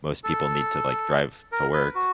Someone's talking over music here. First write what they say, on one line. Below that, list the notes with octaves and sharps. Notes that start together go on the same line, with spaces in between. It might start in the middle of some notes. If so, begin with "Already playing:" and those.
Most people need to, like, drive to work
A4
A#4
B4
F#4